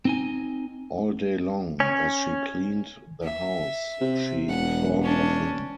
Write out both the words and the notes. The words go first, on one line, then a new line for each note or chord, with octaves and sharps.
All day long, as she cleaned the house, she thought of him.
C4 D#4 G#5
C#4
E5
C3
E1 F#5
C#4 D4